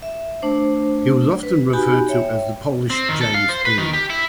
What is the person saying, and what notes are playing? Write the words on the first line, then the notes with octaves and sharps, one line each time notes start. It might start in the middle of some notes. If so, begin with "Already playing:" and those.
He was often referred to as "the Polish James Dean".
E5
A3 D4 C5
B4
D#4 F#4 G4 G#5 B5
C#5 E5 G5
C4
D#3
A4
F5
C5
B4
D#3
G4
E4